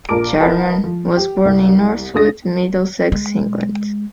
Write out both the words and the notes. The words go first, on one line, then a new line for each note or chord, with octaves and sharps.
Jarman was born in Northwood, Middlesex, England.
A#1 F4 A#4 A5 D6 D7
E4 A#4 B4 D#5 F#5 A5
F3
G4
C2
C#2 D4 G#4 D#6 A6 A#6
G#3